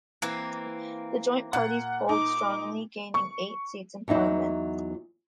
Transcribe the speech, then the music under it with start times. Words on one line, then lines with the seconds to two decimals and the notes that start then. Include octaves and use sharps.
The joint parties polled strongly, gaining eight seats in Parliament.
0.22 E3 A#3 C4
1.53 A#2 F#5
2.09 D#4 D6
3.14 C#6
4.08 E2 F#3 D#4 E4